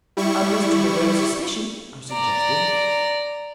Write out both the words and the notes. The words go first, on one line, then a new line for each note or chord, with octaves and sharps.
"Unless to divert suspicion," I suggested.
G3 E4 C#6
D5 A#5